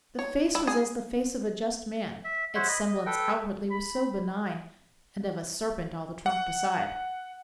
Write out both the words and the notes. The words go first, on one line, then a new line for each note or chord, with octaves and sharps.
The face was as the face of a just man, Its semblance outwardly was so benign, And of a serpent all the trunk beside.
C#5
E4
G#4
E5
C5 C#5 E5 F#5
D#5 B5
D#5
A4 B4 G5
B5
F#5